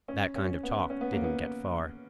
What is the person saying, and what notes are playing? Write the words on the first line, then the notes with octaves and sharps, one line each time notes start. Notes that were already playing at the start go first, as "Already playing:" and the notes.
That kind of talk didn't get far.
C#4
C#4
B3
C#4
B3
A#3
B3